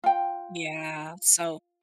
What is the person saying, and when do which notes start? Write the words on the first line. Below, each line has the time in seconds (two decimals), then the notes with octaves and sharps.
Yeah, so
0.04 F4 G5